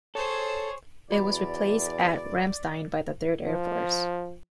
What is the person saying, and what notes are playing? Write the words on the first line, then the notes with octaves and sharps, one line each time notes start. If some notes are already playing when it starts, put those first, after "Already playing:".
It was replaced at Ramstein by the Third Air Force.
G#4 A4 C5 C#5
E2 F#4 D5 B5
F3